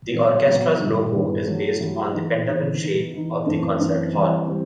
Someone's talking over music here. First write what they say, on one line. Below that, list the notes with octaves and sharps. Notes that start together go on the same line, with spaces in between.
The orchestra's logo is based on the pentagon-shape of the concert hall.
B2 F#3 B3
B2 F#3 B3
G2 D#3 G3 B3 E4
G2 D#3 G3 B3 E4
G2 F#3 A3 E4 G4
G2 F#3 A3 E4 G4
E3 B3 D#4
E3 B3 D#4
E3 B3 D#4
E3 B3 D#4
F#2 E3 A3 C4 D#4
F#2 E3 A3 C4 D#4
E3 G3 C4
E3 G3 C4